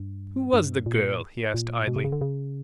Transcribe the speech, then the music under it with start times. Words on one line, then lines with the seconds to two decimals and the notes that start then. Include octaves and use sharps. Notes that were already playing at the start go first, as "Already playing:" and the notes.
"Who was the girl?" he asked idly.
Already playing: G2
0.53 G2
0.86 A#2
1.54 A#2
1.88 B2
1.96 C3
2.04 C#3
2.12 D3
2.21 C#3